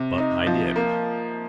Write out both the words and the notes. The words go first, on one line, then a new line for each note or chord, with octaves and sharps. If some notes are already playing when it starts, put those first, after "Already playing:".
But I did.
Already playing: C3
D#4
F3
A#3